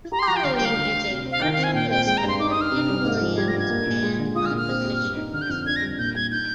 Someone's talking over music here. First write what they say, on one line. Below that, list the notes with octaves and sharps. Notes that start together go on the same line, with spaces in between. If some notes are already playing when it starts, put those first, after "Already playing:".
The following is a partial list of Clifton Williams's band compositions.
G4 A#5
C6
F3 A#5
G5
D3 F5
G5
G3 F5
D2
D3
C3
C4
F5
D#3 G5
F5
C4
G#5
A#2 G5
C4 G5
G#3 G5
A#5
G2
C6
D#4 D6
D#6
D#4
F6
C3
G3
G#2
F3
G3 G#6
A#6
G2
G#6
A#3
A#2
G#3
D3
F4 D#6
F6
A#2
F6
C4
G4
G2
D#4
D3 F6
G6
F2 F6
D4 G#6
A#6
G3
A#2 G6
G3 G#6
D#4 G6